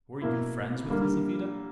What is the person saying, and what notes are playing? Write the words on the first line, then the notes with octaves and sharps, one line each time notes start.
"Were you friends with Lizaveta?"
B2 A#3 E4
D3 G3 A#3